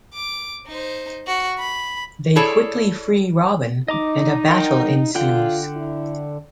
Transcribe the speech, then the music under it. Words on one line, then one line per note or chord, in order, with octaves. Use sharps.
They quickly free Robin and a battle ensues.
D6
D#4 C5
F#4
B5
E4 G#4 A4 C#5 D5
D#4 D#5 A#5 D6
A#4 F#5 G5
D3 F4 F#5 G5
E4